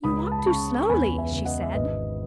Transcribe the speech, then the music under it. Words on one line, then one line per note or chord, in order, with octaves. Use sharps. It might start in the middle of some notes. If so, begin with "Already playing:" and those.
"You walk too slowly," she said.
C#2 B5 D#6
A5
B5
C#3 A5 C#6
C#6
E2 G#5 B5
E5 G#5
C#3
D#5 F#5
E5
G#1 B4 D#5